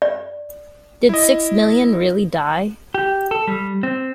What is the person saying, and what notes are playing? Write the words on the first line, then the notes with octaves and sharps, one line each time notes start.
Did Six Million Really Die?
D5
E4 D#5
G4
A4
G3
C4